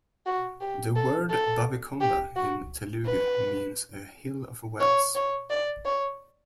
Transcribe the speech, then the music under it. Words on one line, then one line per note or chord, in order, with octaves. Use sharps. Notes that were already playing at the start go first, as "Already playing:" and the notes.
The word "Bavikonda" in Telugu means "a hill of wells".
F#4
G4
A4
A4
G4
F#4
B4
C#5
C#5
D5
C#5